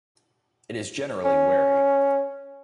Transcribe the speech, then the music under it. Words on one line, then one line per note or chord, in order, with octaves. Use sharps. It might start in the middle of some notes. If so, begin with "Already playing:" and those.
It is generally wary.
C#4